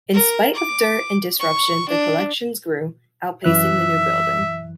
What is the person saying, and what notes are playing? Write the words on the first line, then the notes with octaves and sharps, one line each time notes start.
In spite of dirt and disruption the collections grew, outpacing the new building.
A#4
D6
C#6
D4
F#2 E3 E5 F#6